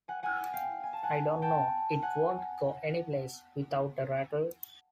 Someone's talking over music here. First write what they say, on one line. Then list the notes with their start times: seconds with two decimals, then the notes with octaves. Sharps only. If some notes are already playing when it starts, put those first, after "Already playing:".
I don't know, it won't go anyplace without a rattle!
0.08 F#5 G#5
0.23 F#5 G#5
0.53 F5 G5
0.83 G#5
0.93 A5
1.03 F#5 G#5
1.42 G5 A5
2.02 F#5 G#5